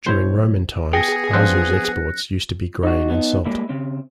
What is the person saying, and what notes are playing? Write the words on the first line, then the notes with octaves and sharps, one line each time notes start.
During Roman times, Arzew's exports used to be grain and salt.
B1 E4 C5 C#5
B3 G#4 G5 A#6 C#7
F3 C4 D4 F#6
D#4 F#4
B3 D#4
G3 G#3 A#3 E4
C#3 C4